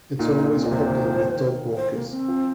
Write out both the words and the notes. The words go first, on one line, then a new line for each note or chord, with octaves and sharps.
It's always popular with dog walkers.
A#2 D#4
D#4
C4
A#2 D#5
C3 C5
D#3
F3
D#3
C5
A#3
C4
F3